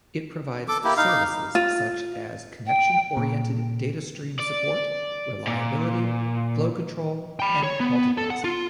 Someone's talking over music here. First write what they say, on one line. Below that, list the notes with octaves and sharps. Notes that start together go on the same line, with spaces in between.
It provides services such as connection-oriented data stream support, reliability, flow control, and multiplexing.
A4 D6
A#3 E4 G4
D#4 F5
F4
G5
A#2
D5
A#2
G5 B5
C#5
B3
A4
F#5
F4